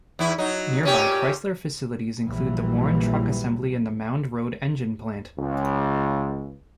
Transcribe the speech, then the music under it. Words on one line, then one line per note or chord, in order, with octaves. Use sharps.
Nearby Chrysler facilities include the Warren Truck Assembly and the Mound Road Engine plant.
E2 E4
F#3 D#4
A#2 C#4 G4
A#1 A#2 E3 F#3 G3
C#2